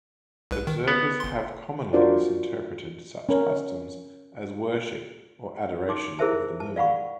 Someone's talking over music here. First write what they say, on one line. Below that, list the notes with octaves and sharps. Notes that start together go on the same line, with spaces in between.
Observers have commonly misinterpreted such customs as worship or adoration of the moon.
C2 B4
D#3
B3
G1 C6
D4 F4 F#4 A#4 C5 D5
C#4 A#4
D#4 C6 D6
E4 G#4 A#4 C5 E5 A5
A5
D5 F5 F#5 B5 C#6